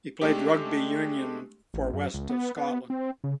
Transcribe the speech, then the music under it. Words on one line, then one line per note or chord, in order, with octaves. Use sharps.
He played rugby union for West of Scotland.
G#3 A3 D4 G4
A1
F#2
C#2
B3
B3
C4
C#3